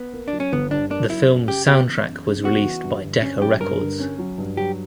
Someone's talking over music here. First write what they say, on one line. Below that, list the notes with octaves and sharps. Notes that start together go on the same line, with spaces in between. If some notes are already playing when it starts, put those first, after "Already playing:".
The film's soundtrack was released by Decca Records.
Already playing: B3
A#3
D4
F#3
C#4
G1 B3
G2 D4
A#3 D4
F#3 E4
F#2
C#3 G4
B3 G4
E3
F#2
C#3
B3 F#4
E3
G2
D3
C#4
F#3 G4
G2 A#4
D3
C#4
F#3
G2
F#3 G4